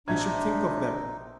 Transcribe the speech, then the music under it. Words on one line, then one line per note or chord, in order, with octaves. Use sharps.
He should think of them.
A#1 C3 D4 D#4 G#6